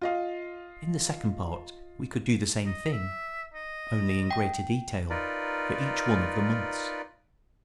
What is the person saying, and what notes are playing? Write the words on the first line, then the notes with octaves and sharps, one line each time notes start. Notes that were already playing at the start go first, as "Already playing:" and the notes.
In the second part we could do the same thing, only in greater detail, for each one of the months.
F4 D#5 F5
D#5
E5
D#5
G5
D#4 F4 A#4 B4 D5